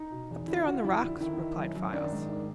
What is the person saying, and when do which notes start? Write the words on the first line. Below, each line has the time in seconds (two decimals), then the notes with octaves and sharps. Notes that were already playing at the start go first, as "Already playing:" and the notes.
"Up there on the rocks," replied Files.
Already playing: D#4
0.12 B2
0.31 E2
0.48 D3 E4
0.57 F4
0.66 F3 F#4
0.76 F4
0.84 F2 E4
1.03 D3
1.21 D#3 E4
1.39 D#3
1.57 F#2
1.75 F#2
1.93 D#3 D4
2.12 G#2
2.29 D#3